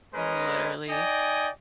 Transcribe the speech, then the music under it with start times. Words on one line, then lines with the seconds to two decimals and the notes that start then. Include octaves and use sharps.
Mm, literally.
0.14 G#3 C#4 A#4 B4 D#5
0.88 D#4 D5 D#5 G5 G#5